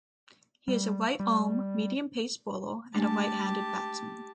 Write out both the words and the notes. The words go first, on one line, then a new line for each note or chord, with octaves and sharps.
He is a right-arm medium-pace bowler and right-handed batsman.
G3
G3
G#3 A3 D4 G4 A5